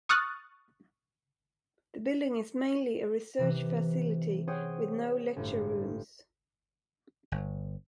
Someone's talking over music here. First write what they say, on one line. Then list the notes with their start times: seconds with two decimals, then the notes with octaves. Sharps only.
The building is mainly a research facility with no lecture rooms.
0.09 C#6 D#6 F6 F#6 A6
3.38 C3 E3
4.48 G#4 C5 C#5 F#5 G5 D#6
5.36 G1 A2
7.32 G1